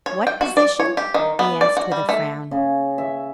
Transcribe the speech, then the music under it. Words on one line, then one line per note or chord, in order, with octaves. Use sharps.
"What position?" he asked, with a frown.
C#5
G5
F#4
D5
C#5
G4
D#3
B3
D5
F#4
G3
A3
C#3
E5